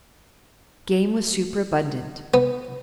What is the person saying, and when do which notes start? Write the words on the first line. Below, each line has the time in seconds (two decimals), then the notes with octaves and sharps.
Game was superabundant.
2.34 B3